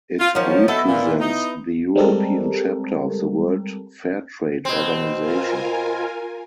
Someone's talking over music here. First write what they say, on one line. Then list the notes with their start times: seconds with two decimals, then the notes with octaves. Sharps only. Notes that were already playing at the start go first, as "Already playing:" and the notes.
It represents the European chapter of the World Fair Trade Organization.
0.19 F4
0.35 D#3 F3 F#3 C#4
0.68 F#3 B3 D#4 E4 A4 E5
0.87 A#2
1.20 D#4
1.96 G3 G#3 C4 G4 A4 A#4
4.65 B2 C4
5.19 F4 A#4 G#5